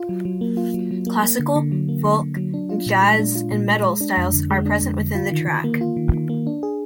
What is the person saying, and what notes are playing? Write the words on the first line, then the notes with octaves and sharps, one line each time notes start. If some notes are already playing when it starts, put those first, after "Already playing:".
Classical, folk, jazz and metal styles are present within the track.
Already playing: F4
F#3
F#3
A#3
F4
F#3
F#3
A#3
A#3
D3
D3
F#3
A#3
D3
D3
F#3
D4
F4
A#2
G#3
D4
F4
A#2
G#3
G#3
D4
F2
D3
G#3
D4
F2
D3
F4
D#3
D#3
A#3
F4
D#3
D#3
A#3
D4
G#4